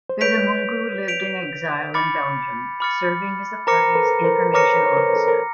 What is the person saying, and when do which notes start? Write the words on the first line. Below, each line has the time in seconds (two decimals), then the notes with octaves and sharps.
Bizimungu lived in exile in Belgium, serving as the party's information officer.
0.10 C5
0.21 B4 C#5 G6 B6 D7 F7
1.07 G6 B6 D7 F7
1.94 B5 D6 F6 A6 C#7
2.80 B5 D6 F6 A6 C#7
3.67 A#4 C5 A#5 D6 F6 A#6 C#7
3.95 A4 B4
4.24 A#4 C5
4.53 B4 C#5 A#5 D6 F6 A#6 C#7
4.86 C#5
4.97 A#4 C5
5.16 A4
5.28 A#4